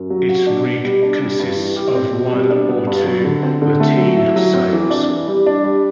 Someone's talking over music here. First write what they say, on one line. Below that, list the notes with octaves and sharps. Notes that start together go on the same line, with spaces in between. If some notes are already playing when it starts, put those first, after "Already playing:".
Its rig consists of one or two lateen sails.
Already playing: F#2
F#3
F#4
D4
B2
G3
D4
G3
G2
E3
G4
C4
B2
G3
D4
B3
G2
F#3
D3
C4
D3
A3
F#3
E4
F#3
C4
E3
D4
E3
G3
D4
G3